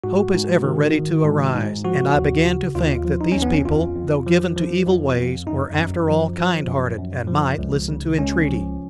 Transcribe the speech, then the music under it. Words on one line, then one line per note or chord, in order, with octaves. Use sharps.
Hope is ever ready to arise; and I began to think that these people, though given to evil ways, were after all kind-hearted, and might listen to entreaty.
G#2 F#4
G#2
D#3
D#3
G#2
G#2
F3 F#4
D#2
C#3
D#2 F4
F3
D#4
D#2 C#4
B3
C#4
F2 F4
F2
F3
F3
F2
F2
F#2 D#4
F#2
F3
F3
F#2
F#2
F3
C#2
C#3
C#2 C#4
F3